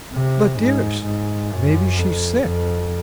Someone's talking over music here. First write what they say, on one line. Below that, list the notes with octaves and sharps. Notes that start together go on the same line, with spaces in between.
"But, dearest, maybe she's sick."
C3
G#2
G#2
F#2
F2
F2